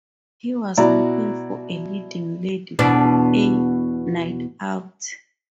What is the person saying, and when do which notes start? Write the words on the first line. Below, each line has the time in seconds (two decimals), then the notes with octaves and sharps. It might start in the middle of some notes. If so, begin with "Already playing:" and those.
He was looking for a leading lady for "A Night Out".
0.77 B2 E4 F#4 D5 A#5
2.79 E2 B2 D4